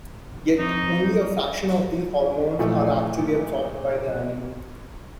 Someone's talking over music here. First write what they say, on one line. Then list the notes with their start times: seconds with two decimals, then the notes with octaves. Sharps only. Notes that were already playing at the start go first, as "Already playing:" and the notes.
Yet, only a fraction of these hormones are actually absorbed by the animal.
0.58 F2 D#4
2.59 A#2 E3 F3 A3